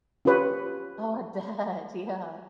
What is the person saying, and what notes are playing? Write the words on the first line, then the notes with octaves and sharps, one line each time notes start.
Oh, I bet, yeah.
C#4 F4 G4 B4 C#5